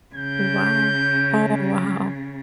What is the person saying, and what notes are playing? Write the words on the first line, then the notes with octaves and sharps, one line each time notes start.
Wow. Oh wow.
C#3 G6